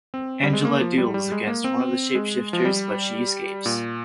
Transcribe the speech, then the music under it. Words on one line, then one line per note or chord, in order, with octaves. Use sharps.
Angela duels against one of the shapeshifters but she escapes.
C4
G3
G#3
A#3
F3
G3
G3
G#3
A#3
C4
G#3
F3
G3
A#2